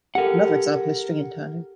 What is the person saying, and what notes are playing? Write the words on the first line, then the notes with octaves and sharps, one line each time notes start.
Another example is string interning.
G4 A4 A#4 F#5